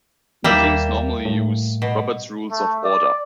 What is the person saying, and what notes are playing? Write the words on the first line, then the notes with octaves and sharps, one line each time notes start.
Meetings normally use "Robert's Rules of Order".
D#2 G3 A#3 E5
A2
B2
A3
D5